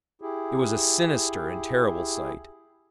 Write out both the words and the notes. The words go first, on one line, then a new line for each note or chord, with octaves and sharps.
It was a sinister and terrible sight.
E4 G4 G#4